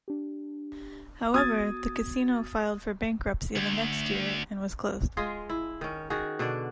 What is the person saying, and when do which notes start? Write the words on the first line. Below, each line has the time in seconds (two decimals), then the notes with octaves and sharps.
However, the casino filed for bankruptcy the next year and was closed.
0.08 D4 G4
1.34 B3 F#4 D#6 G#6 A6
3.56 D2
5.17 G#3 F4 G#4
5.50 E4
5.81 D#3 C#4
6.10 D#3 F#4 G#4
6.39 B2 D3 D4 D5